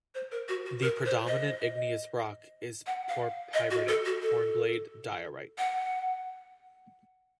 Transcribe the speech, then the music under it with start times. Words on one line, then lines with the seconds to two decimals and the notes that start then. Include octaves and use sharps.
The predominant igneous rock is porphyritic hornblende diorite.
0.15 C5
0.32 A#4
0.49 F#4
0.66 F#4
0.82 A#4
1.06 C5
1.28 D#5
2.87 F#5
3.09 F5
3.54 D#5
3.71 F#4
3.88 A4
4.05 F#4
4.22 A4
5.58 F#5